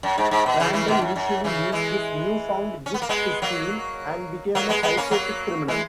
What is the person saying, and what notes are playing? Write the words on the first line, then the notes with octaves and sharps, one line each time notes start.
Crandell initially used his newfound gift to steal, and became a psychotic criminal.
F#2
G#2
G#2
B2
C#3 E3
C#3 E3
B2 D#3
F#2
F#2
C#3 E3
E3 G#3
C#4
B3
A#3
G#3 B3
F#3 A#3
F#3 A#3
G#3 B3
G#3 B3
A#3 C#4
F#3 A#3
E3 G#3